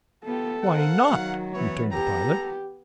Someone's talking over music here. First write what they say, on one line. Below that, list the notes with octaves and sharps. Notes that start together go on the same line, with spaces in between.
"Why not?" returned the pilot.
B3 F4 G4 A4
A#4 C5 F5 F#5
D#3 F#3
E3 B3 C#4 E4 B4 C#5
B3 G4 A4 A#5